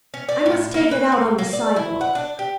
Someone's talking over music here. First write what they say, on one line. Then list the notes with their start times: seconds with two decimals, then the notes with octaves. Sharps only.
I must take it out on the sidewalk.
0.14 C#4
0.29 D5
0.46 A2
0.74 A#3
0.91 B4
1.12 A2
1.38 A#3
1.53 D5
1.76 E4
2.01 F#5
2.15 D4
2.39 G4